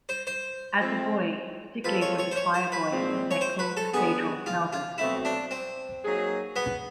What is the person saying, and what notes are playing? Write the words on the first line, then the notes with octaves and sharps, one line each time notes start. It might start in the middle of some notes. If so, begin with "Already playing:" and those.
As a boy, Sigley was a choir boy at Saint Paul's Cathedral, Melbourne.
C5
C5
F3 A3 C4
F3 G#3 C4 F4 A4 B4
C#5
C#5
C5
C#5
C5
B4
A#2 F3 G#3 C4
C#5
C5
B4
A4
D3 G3 B3 G#4
F4
F4
B2 F#3 A3 C4 E4
D4
C4
F#3 A#3 D#4 G#4
B3